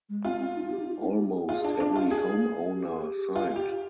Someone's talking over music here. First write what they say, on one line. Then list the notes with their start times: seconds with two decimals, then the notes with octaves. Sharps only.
Almost every homeowner signed.
0.09 G#3
0.25 C4 F4
0.41 C4
0.56 D#4
0.65 F4
0.72 G4
0.80 D#4
0.87 F4
1.02 D#4
1.18 G4
1.34 G#4
1.49 F4 G#4
1.64 D4
1.80 D4
1.96 F4
2.11 G#4
2.73 G4
2.87 G#4
2.99 G4
3.36 F4
3.56 G4